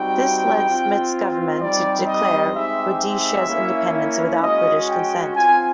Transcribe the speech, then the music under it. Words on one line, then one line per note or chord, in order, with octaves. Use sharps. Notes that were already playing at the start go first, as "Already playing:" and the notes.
This led Smith's government to declare Rhodesia's independence without British consent.
Already playing: G3 C4 D#4 F#4 G5
C4 F4
G3 C4 D#4 G4 D5
D#5
G#3 C4 D#4 G4 E5
E5
A#3 C#4 E4
G#3 C#4 F#4 D#5
G5
C4 F4 G#5